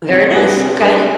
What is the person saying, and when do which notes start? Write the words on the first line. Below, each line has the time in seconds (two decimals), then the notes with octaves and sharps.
Very nice, okay.
0.09 C3
0.33 G3 D4 G#4 B4
0.57 C3
0.80 G3 D4 G#4 B4